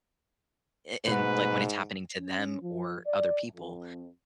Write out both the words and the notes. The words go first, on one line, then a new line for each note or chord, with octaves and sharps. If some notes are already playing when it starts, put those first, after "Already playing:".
a and, like, when it's happening to them or other people,
G#2 B2 A3 B4 F#5
C#4
F3
D5
F2